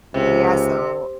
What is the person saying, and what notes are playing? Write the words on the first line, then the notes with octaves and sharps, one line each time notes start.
Yeah, so
C#2 C3